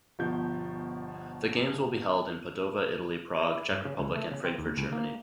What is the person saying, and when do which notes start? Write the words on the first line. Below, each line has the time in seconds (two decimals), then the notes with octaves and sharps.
The games will be held in Padova, Italy, Prague, Czech Republic and Frankfurt, Germany.
0.19 G1 B2 F3 G6
3.48 E4
3.71 G2
3.85 C#3
3.99 C#2
4.16 A3
4.31 C#3
4.44 C4
4.58 D#2
4.77 C#2
4.92 A#3